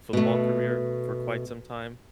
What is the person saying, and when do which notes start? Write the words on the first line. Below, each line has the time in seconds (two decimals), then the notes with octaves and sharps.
football career for quite some time.
0.13 B2 A3